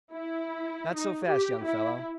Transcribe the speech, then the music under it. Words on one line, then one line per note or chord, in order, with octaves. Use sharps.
Not so fast, young fellow.
E4
D#4
G4
E4